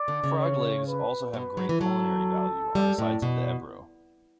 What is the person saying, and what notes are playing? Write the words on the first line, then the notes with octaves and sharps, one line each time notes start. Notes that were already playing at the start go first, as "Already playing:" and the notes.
Frog legs also have great culinary value on the sides of the Ebro.
Already playing: D5
D3
C#3
C#5
B4
B2 B4
F#3
E3
F#3 A4
G3
A2
B2